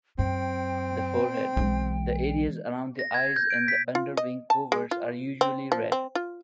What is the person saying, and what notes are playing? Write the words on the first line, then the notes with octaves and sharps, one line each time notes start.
The forehead, the areas around the eyes and underwing coverts are usually red.
F#2 C4 G5
B1 E3 G#3
A#6
G#6
G6
D7
B6
F4
D#5
A5
G#3
F4
C4
F3
C4
F4